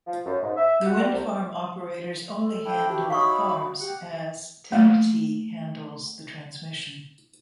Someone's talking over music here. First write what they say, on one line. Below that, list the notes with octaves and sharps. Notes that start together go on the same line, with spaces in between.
The wind farm operators only handle the farms, as TenneT handles the transmission.
F3
F#2
G#2
E5
F#4
G3
C2
A4
D4 E4 G5
F#4 G4
F#3 D#4 E4 F5 B5 C#6 D#6
G4 F#5
A3 A#3